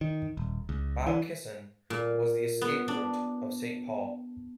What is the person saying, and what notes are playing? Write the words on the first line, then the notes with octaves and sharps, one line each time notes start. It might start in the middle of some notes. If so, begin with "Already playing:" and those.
Bab Kisan was the escape route of Saint Paul.
D#3
D#1
C#2
E3
A#2
B3
D4